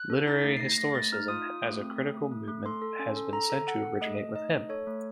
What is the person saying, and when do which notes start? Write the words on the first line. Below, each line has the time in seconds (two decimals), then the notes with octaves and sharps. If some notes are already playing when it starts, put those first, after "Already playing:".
Literary historicism as a critical movement has been said to originate with him.
Already playing: F#6
0.10 A4
0.27 D#4 A6
0.44 A3
0.57 C7
0.61 A3 A#6
0.78 A3 A#6
0.95 A3 A6
1.12 D#4 F6
1.28 F4 D#6
1.46 F4
1.63 A3
1.80 C4
1.96 A3
2.14 A3
2.31 A3
2.48 A3
2.66 A4 C6
2.81 A4
2.99 C#4
3.17 A4
3.33 A4 A#5
3.50 A4
3.67 A4 F#5
3.85 A4
4.01 A3 D#5
4.18 A3
4.35 D#4 D#5
4.52 A3
4.69 A4 C#5
4.87 A3